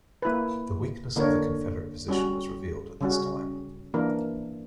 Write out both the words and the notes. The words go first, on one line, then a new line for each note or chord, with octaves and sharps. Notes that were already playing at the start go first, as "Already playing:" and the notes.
The weakness of the Confederate position was revealed at this time.
A#3 E4 B4
D3 A#3 D4 A#4 C#5
G3 C#4 F#4
C#3 G3 C#4 F#4
E3 A#3 D4 A#4